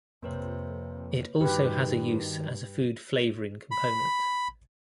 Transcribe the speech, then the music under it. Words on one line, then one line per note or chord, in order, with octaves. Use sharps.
It also has a use as a food flavoring component.
F2 C3 A#3 B4 C#5
G2 D#3 D#4 F#4 G4 B4
B5